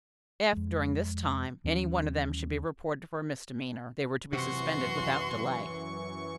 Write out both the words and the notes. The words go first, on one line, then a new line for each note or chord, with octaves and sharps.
If, during this time, any one of them should be reported for a misdemeanor, they were to be suspended without delay.
F2 G#3
D#2 E3 G3 C#4
F#2 C3 E3 F#4 C6 C#6